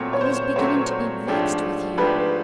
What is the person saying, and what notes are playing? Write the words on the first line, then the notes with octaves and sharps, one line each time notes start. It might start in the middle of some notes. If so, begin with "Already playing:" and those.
I was beginning to be vexed with you.
Already playing: A#2 F#3 A3 C4 C#5
C#5
C5
A#2 F#3 A3 C4 C#5
G#2 F3 A3 D4 G4
G#2 F3 A3 D4 G4 B4